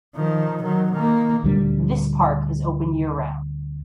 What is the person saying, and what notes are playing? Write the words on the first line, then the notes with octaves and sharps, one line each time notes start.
This park is open year round.
D#3 F3
D#3 F#3
D#3 A#3
D2 A#2 G3 D4